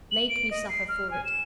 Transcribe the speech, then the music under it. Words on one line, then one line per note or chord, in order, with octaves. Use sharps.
Make me suffer for it.
F#7
D7
D#5
C7
F6
G#5
E7